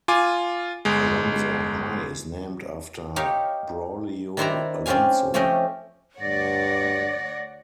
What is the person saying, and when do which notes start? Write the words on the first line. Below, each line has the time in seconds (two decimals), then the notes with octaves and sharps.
Alonso High is named after Braulio Alonso.
0.08 F4 G#5 D6
0.85 G1 G#3
3.16 D#4 G4 C#5 F5
4.37 D#3 D4 E4 C5 D5 A#5
4.86 C4 C#4 F4 G4 F5 G#5
5.34 F3 A3 C#4 G4 D#5
6.21 D2 G2 C#5 D5 F#5 A#6